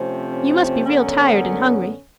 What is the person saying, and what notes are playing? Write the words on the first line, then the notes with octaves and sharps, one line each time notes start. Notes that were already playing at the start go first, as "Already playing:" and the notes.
You must be real tired and hungry.
Already playing: C3 F3 A3 C4 C#4
C#4
F#2 D3 F#3 B3 C#4